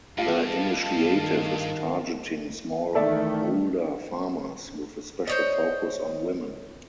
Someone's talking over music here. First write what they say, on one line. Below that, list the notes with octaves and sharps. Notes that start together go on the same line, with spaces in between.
The initiative is targeting small holder farmers, with a special focus on women.
G2 F4 D#5 F5 A5
D#3
D#3 E3 A3 A4 D5 E5
C5 C#5 D#5